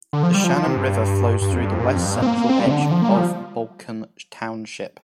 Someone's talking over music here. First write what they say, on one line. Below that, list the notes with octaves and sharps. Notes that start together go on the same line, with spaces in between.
The Shannon River flows through the west-central edge of Balkan Township.
D3
F3
G3
F3
F3
C3
G2
G2
F2
G2
F2
A#2
G2
F2
G2
A#2
C4
A#3
A#3
C4
G3
C3
D3
D3
F3
A#3
G3
F3